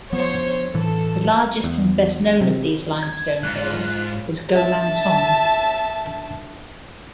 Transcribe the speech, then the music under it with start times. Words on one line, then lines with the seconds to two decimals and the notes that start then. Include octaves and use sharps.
The largest and best known of these limestone hills is Gomantong.
0.13 F3 B3 C5 C#5
0.74 A2 E3 A4
1.64 E2
2.41 C3
3.03 G#6
3.43 G#2 F4 F#6
4.55 E5 A5